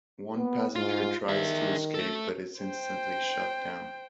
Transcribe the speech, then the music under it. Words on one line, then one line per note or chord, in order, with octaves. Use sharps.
One passenger tries to escape but is instantly shot down.
B3
G#2 F4
D#3 G#4 E5
A3 A4
C5 G5